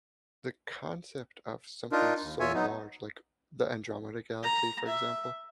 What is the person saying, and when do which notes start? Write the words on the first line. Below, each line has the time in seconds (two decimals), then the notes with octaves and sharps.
the concept of something so large- like the Andromeda galaxy, for example-
1.92 D4 D#4 F4 A#4
2.22 D#2
2.40 E2 F4 C#5 E5 G#5
2.54 F#3 B3 D#4
4.43 A#5
4.87 E5